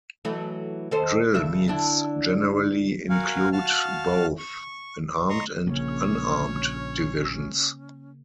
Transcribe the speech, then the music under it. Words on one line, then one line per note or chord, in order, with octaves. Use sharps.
Drill meets generally include both an armed and unarmed divisions.
E3 F#3 A3
D#3 A4 C5
G2 C#3 E5
D3 D4 E4
F#4 A#4 F5 F#5 G#5
F#4 F5 A5 F6
C#6
D#5 A#5 C6 C#6 D#6
A#1 C#3 A#3 C#4 C#5